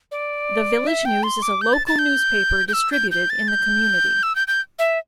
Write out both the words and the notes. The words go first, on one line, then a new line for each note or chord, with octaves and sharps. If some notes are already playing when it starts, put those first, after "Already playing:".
The "Village News" is a local newspaper distributed in the community.
D5
E5
G5
C6
D6
G6
A6
A6
G6
G6
E6
G6
G6
A6
G6
E6
G6
G6
E5